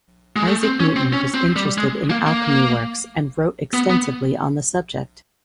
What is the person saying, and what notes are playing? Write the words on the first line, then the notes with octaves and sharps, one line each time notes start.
Isaac Newton was interested in Alchemy works and wrote extensively on the subject.
G#3
A3
C4
C#4
C4
C#4
C4
G3
G#3
A#3
A#3
B3
B3